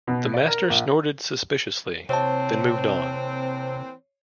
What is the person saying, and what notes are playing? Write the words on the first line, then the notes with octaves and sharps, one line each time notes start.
The master snorted suspiciously, then moved on.
B2
D5
A#4
A#1
C3 E3 A#3 C4 C5 C#5 A5